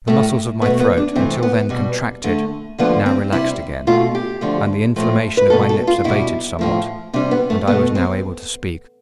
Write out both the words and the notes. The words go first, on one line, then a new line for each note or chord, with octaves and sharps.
The muscles of my throat, until then contracted, now relaxed again; and the inflammation of my lips abated somewhat; and I was now able to speak. .
A2 G3 A3
B2 A3 B3
B3
D4
C3 E3 A3 C4
B3
B2 G3
D3 A3
D3 F3 A3 B3
C4
C3 G3 E4
B2 A3 F4
G4
D3 F3 A3
A2 F3 A3
B4
B2 A3 A4
A4
F4
B2 G3 E4
A2 F3 A3
C3 G3 D4
B3
A3
B2 A3 B3
C4